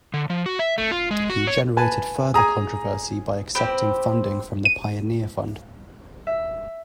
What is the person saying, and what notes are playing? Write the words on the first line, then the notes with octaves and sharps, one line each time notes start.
He generated further controversy by accepting funding from the Pioneer Fund.
D3
F3
F#4
E5
A3
F4
G#3
F#4
C#5
B4 G#5 A5
G#4 G#5 A#5 D#6
C4 G4 B4 C5
D#7
E5